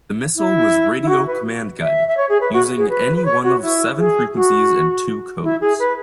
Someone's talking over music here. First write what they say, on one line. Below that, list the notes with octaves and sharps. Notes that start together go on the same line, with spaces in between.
The missile was radio-command guided, using any one of seven frequencies and two codes.
E4
E4
F#4
B4
E5
E5
C#5
G#4
B4
F#4
G#4
B4
B4
C#5
F#4
E4
G#4
F#4
E4
G#4
B4